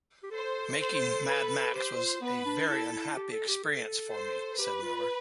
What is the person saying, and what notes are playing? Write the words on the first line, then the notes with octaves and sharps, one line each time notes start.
"Making "Mad Max" was a very unhappy experience for me," said Miller.
G4
A4 C5
C5
B4
G4 C5
F4
B3 B4
D4
E4 A4
E4
G4
A4
G4
A4
C5
G4 B4
F4